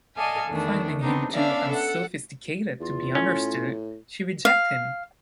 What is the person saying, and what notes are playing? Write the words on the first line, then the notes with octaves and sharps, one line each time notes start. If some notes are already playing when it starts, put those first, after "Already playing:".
Finding him too unsophisticated to be understood, she reject him.
A4 D5 D#5 F5 G#5 A5
E2 D#3 A3 D4
B3 C4 D4 D#4
B3 C#4 D4 D5 E5 F5
A4 F#5
E2 F4
A2 C#4
F5